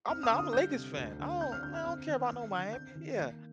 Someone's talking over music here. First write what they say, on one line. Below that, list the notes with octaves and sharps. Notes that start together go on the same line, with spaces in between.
I'm not I'm a Lakers fan. I don't man, I don't care about no Miami. Yeah,
C4 F6
D#6
D3
D#6
G3 G6
C3
D2
D3
C4 G6
F6
D3 G6
F6
C4 F6
D#3
C4
D3
C4 G6
D#3
A#3